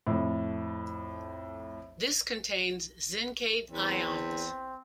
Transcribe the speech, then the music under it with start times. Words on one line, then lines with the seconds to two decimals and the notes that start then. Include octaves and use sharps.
This contains zincate ions.
0.07 F2 A2
3.71 E2 C4